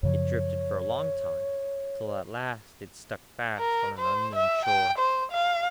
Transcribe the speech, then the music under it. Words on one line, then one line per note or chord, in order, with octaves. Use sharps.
It drifted for a long time, till at last it stuck fast on an unknown shore.
F#2 C#3 F3 C#5
A#4
C5
E5
G5
C5
F5